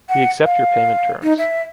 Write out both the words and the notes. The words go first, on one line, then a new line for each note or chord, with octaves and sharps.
We accept your payment terms.
F#5
F5
D#4
E5